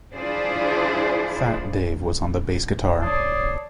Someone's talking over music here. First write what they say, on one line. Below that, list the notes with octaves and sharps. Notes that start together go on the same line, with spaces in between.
'Fat' Dave was on the bass guitar.
D4 E4 F4 G#4 C5 D5
C#5 D5 A5 C6 D6 D#6